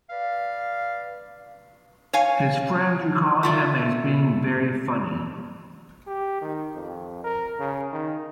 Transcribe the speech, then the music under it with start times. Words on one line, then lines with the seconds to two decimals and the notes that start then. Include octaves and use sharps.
His friends recall him as being very funny.
0.10 B4 D5 F5
2.13 C#5 F5 G#5
3.43 A3 F4 D5
6.07 G4
6.42 D#3
6.75 F2
7.24 A#4
7.59 C#3
7.93 D#3